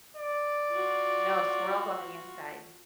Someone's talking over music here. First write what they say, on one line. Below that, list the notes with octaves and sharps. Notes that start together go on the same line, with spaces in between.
No, swirled on the inside
D5
F4 F#4